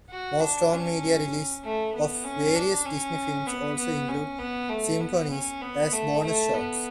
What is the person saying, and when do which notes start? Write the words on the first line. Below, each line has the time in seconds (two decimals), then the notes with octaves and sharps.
Most home media releases of various Disney films also include "Symphonies" as bonus shorts.
0.11 F#4
0.40 D4
0.72 C#4
1.64 A3
1.95 B3
2.24 C#4
2.55 D4
2.86 C#4
3.47 B3
3.78 B3
4.08 C#4
4.39 B3
4.70 A3
5.00 B3
5.31 C#4
5.62 B3
5.92 A3
6.23 A3
6.54 B3